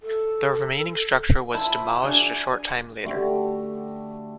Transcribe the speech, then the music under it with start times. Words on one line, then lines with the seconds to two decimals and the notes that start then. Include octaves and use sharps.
The remaining structure was demolished a short time later.
0.02 A4
1.54 E4 F4 C5 A5
2.03 D4 F#4 G#4 G#5
3.04 D3 A3 F#4 G4